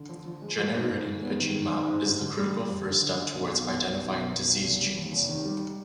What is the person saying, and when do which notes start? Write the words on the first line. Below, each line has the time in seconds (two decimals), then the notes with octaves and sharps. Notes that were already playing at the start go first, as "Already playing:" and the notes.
Generating a gene map is the critical first step towards identifying disease genes.
Already playing: D3
0.09 F3
0.25 F3
0.42 G#3
0.58 F3
0.74 G#2
0.90 G#2
1.06 G#2
1.23 B3
1.39 D#3
1.56 D#3
1.72 G#2
1.88 G#2
2.04 D3
2.20 D3
2.37 G3
2.53 G3
2.69 F2
2.85 D3
3.01 D3
3.18 D4
3.34 B1
3.50 B1
3.66 B3
3.83 B3
3.99 B1
4.15 B2
4.32 B3
4.48 B1
4.64 F1
4.80 G3
4.97 D#2
5.13 F1
5.29 D#3
5.45 G3